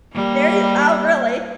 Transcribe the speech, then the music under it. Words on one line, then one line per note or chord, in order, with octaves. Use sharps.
There you oh, really?
G3 A#3